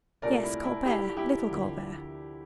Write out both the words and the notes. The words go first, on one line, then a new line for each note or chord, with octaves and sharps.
"Yes, Colbert, little Colbert."
C2 A#2 A3 A#4 D5
E4
E4
E4 G4
E4 G4
D2 D3 F3 A#3